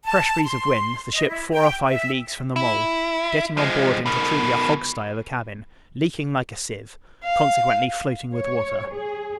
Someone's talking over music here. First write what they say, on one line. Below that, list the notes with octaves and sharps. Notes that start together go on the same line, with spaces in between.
Fresh breeze of wind, the ship four or five leagues from the mole; getting on board into truly a hog-stye of a cabin, leaking like a sieve, consequently floating with water.
A5
C6
D#5
E4
G5
E5
E4
F3 G#3
B2 D#3
F5
C#5
G#4